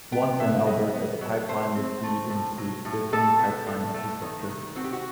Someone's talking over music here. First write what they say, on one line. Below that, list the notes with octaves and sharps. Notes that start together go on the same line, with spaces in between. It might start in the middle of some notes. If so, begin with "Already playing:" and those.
Once in Alberta, the pipeline would feed into the existing pipeline infrastructure.
B3 G5
B2 E5
B2 D#5
B3
F#3
A3 C5
C4
A3
A2
F#3
A2
A2 A4
B3
A2
A3
D#3
D#3
C4 F#4
G4
F#4